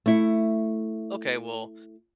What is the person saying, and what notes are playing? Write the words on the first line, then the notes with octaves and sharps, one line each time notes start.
Okay, well,
A3 E4